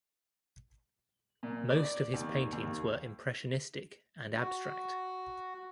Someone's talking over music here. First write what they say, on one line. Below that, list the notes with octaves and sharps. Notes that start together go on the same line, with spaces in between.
Most of his paintings were impressionistic and abstract.
A#2
D5
D#2
D#2
F#4